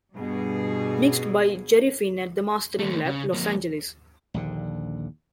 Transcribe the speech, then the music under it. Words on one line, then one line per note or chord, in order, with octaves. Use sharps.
Mixed by Jerry Finn at The Mastering Lab, Los Angeles.
G2 B2 G#4
D#2 A3
C#3
F2 A#3
A#1 D#2 D3